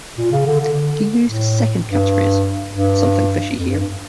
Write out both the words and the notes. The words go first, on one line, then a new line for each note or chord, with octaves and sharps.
He used a second catchphrase, Something fishy here!
A#2
C#3
D3
D3
A2
G2
G2
F2
G2
G2